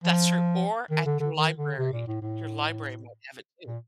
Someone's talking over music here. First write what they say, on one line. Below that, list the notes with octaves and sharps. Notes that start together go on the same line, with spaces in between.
That's true. Or at your library; your library might have it too.
F3
D#3
D3
D3
D#3
D3
C3
A#2
A2
A2
A#2